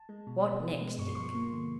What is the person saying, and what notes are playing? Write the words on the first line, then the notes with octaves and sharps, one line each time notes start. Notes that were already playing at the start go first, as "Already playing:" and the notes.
"What next, Dick?"
Already playing: A5
G#3
B2
B3
B2
G#3
G2 C#6
C6
F3 C#6
A#3
D3